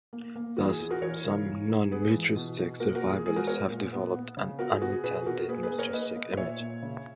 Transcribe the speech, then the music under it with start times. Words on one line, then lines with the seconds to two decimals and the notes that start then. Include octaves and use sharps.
Thus, some non-militaristic survivalists have developed an unintended militaristic image.
0.13 A#3
0.36 A#3
0.57 E3 F#4
0.69 G#4
0.79 E2 G#4
0.90 F#4 A#4
1.02 E3 A#4 C#5
1.25 C#3
1.46 G#2
1.69 G#2
1.91 B3 G#4 B4
2.13 E3
2.36 B2
2.58 B2
2.80 A#3 F#4 A#4
2.95 F#4 A#4
3.02 E2
3.10 G#4
3.25 G#3 G#4
3.36 F#4 A#4
3.47 B3 A#4 C#5
3.70 A#2
3.92 B3
4.14 B3
4.37 C#3
4.59 B3 F#4 A#4
4.70 G#4
4.81 B3 F#4
4.92 G#4
5.04 B2 G#4 B4
5.26 B2 F#4 A#4
5.49 A#3 G#4 B4
5.63 G#4 B4
5.71 A#3
5.78 A#4 C#5
5.93 A#3 B4 D#5
6.16 A#3
6.37 A#2 C#5 E5
6.60 A#2
6.83 C#3